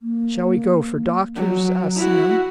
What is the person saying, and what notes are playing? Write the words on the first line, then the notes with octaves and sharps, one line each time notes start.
"Shall we go for doctors?" asked Sam.
A#3
F#3
E4 F#4